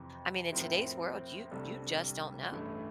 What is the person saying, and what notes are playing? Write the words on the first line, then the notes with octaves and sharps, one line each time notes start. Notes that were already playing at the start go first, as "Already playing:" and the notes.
I mean, in today's world, you you just don't know.
Already playing: F2 C3 E3
A2 F3 C4 E4 A#4
C2 C3 G3 D4 A4
A1 G2 E3 A3 E4